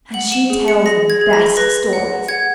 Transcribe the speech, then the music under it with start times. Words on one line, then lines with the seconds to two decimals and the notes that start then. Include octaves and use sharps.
And she tells the best stories.
0.14 F#5 F#7
0.32 E7
0.50 G#4
0.68 C#7
0.86 G#4 A#6
1.10 G#6
1.21 G#4
1.33 A#6
1.57 B4 A#6
1.93 F#5
2.28 F#5 G#6